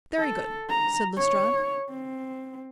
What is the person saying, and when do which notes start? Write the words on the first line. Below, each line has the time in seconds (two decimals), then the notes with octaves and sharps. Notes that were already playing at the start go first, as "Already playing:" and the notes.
"Very good," said Lestrade.
0.19 A4
0.69 A#5
1.17 C#5
1.90 C4